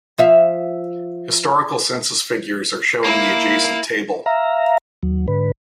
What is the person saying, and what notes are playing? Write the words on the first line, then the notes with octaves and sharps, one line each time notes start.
Historical census figures are shown in the adjacent table.
F3 E5 F5
A#3 E4
E5 F5 A#5
D#2 F#3
G#2 D3 B4